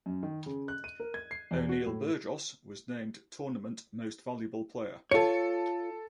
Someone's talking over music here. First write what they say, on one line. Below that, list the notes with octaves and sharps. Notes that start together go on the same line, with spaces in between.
O’Neill Burgos was named Tournament Most Valuable Player.
F#2
D#3
C#3
F#6
D#7
A#4
G#6
C7
E2
F#4
A2
F4 A4 C#5 C#7